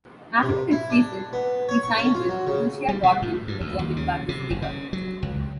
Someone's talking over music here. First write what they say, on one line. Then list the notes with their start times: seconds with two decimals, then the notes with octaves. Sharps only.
After that season, he signed with Borussia Dortmund in the German Bundesliga.
0.43 C3
0.71 E4
0.90 D4
1.33 B3
1.69 C#5
1.83 C#6
1.98 C#4
2.15 F4
2.29 F#3
2.47 C#3
2.88 G3
3.03 B2
3.22 A2
3.48 G2
3.60 D2
3.79 D#2
3.97 C#3
4.29 C3
4.50 F#1
4.62 C#3
4.93 F#3
5.23 C#2